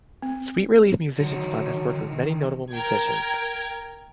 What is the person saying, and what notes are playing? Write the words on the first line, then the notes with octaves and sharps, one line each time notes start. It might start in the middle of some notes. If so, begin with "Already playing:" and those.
Sweet Relief Musicians Fund has worked with many notable musicians.
C4
D3 D#3 F#3
A#4 G5 G#6